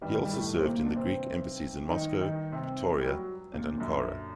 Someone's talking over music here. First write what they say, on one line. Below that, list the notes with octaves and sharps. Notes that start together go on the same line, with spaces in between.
He also served in the Greek embassies in Moscow, Pretoria and Ankara.
G2 D#3 G3
G3
A2 A3
C4
A#2 A#3
D4
C3 C4
D#3 D#4
D#3 D#4
C3 C4
G3
F#3
A#2 A#3
F#2 D3